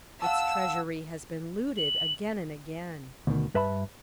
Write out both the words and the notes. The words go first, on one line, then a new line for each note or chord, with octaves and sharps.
Its treasury has been looted again and again.
F5 F#5 A5 E6
F#7
D2 B2 D#3
G2 B4 E5 A5 B5